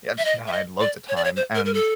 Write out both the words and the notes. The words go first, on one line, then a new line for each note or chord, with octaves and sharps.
yeah, I had loads of time. And
E5
D#5
E5
D#5
D5
C#5
D5
C#5
C5
A#4
A#4
A4